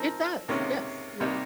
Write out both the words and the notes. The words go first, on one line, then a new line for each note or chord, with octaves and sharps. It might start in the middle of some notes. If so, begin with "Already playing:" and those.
It does, yes, you're
Already playing: F3 C4 D#4 A#4
C#2 C3 D#3 A#3 C#4
C2 C3 G3 A#3 D#4